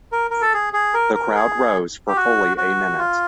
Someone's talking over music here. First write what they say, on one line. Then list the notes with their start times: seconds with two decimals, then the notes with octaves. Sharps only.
The crowd rose for fully a minute.
0.12 A#4
0.31 A#4
0.42 A4
0.54 G#4
0.73 G#4
0.94 A#4
1.14 A#4
1.35 G#4
2.08 G4
2.16 F#4
2.57 F#4
2.98 F4